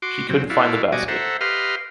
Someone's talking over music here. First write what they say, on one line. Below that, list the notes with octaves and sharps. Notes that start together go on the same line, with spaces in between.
She couldn’t find the basket.
F#4 C6 D6
C3 F#3 C4
E4 F#4 D5 F5
B2 G3 F#4 D#5 G#5 D6
A4 C5 E5 F#5 A#5
G4 B4 D#5 F5 C6 F6